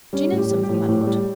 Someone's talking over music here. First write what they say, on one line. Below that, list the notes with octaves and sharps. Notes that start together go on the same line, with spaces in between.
"Do you know something, my Lord?"
G3 C#4
A2
G4
G3
G4
A2
A2
G3